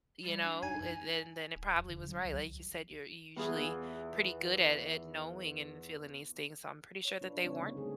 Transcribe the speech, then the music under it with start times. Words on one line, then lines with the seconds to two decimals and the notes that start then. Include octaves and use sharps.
you know, it then then it probably was right, like you said, you're usually pretty good at at knowing and feeling these things, so, I'm pretty sure that they weren't
0.24 G3
0.43 D4
0.63 D#4 G#5
1.55 D1
1.76 D#2
1.89 D3
2.07 F#3
2.25 C#2
3.36 E2 E3 F4 G#4
7.05 C#5
7.21 D4 F4 B4
7.44 C#3 G3 C4 D#4 C#5
7.61 D3 A3 A#3
7.77 G3 A3 G#4